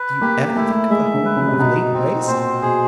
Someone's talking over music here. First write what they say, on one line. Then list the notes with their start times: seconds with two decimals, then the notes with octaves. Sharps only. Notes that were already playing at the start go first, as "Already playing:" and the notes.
Do you ever think of the home you have laid waste?'
Already playing: B4
0.22 A#3 G4
0.50 A#3
0.56 A3 E4
0.90 G#3 E5
1.13 D3
1.25 B4
1.36 C#3
1.48 C3
1.59 B2 D#4
1.94 C4
2.27 A#2 C5
2.62 B2 G#4